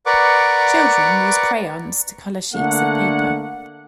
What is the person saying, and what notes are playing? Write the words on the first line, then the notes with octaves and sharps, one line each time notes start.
Children use crayons to color sheets of paper.
A#4 B4 D5 F#5 C#6 D6
D3 A3 A#3 F#5